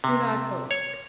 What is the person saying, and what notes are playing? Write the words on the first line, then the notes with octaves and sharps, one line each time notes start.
you're not going
C3
C#5